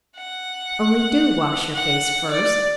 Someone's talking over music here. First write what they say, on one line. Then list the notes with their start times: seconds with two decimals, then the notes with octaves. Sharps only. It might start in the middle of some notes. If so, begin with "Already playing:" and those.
Only do wash your face first.
0.17 F#5
1.74 F#5
2.31 D5